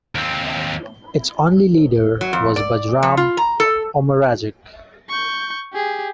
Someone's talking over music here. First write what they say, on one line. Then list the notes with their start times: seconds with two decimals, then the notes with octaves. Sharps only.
Its only leader was Bajram Omeragić.
0.15 D#2 C4
2.21 F#3
2.33 F2
2.56 D5
3.03 F3
3.17 F4
3.37 A#5
3.60 A4
5.09 C#6 G6
5.73 G4 G#4